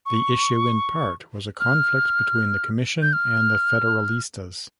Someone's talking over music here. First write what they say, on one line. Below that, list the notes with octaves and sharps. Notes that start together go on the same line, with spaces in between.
The issue in part was a conflict between the Commission and the Federalistas.
C#6
F6
G6
F6